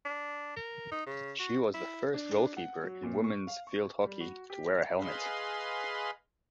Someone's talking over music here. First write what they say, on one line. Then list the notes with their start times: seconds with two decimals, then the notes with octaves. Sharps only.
She was the first goalkeeper in women's field hockey to wear a helmet.
0.05 D4
0.56 A#4
0.92 D#4
1.06 C#3
1.39 F#4
1.74 E4
2.14 D4
2.57 F#5
2.83 F#3
3.03 A#2
3.24 C#6
3.48 F5
3.67 C#6
4.06 G3
4.20 F#4
4.50 G4
4.99 G#4 B4 D#5 F5 B5 C6